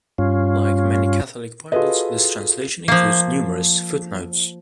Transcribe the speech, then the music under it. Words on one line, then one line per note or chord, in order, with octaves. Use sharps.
Like many Catholic bibles, this translation includes numerous footnotes.
G2 C#4 F4
F4 F#4 G#4 A4 B4 D#5
F3 A#3